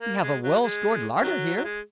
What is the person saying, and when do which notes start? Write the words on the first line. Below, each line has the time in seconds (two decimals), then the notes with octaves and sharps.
We have a well-stored larder here.
0.01 A#3
0.22 G#3
0.42 F#3
0.62 G#3
1.23 D#3 F#3
1.57 F#3
1.65 G#3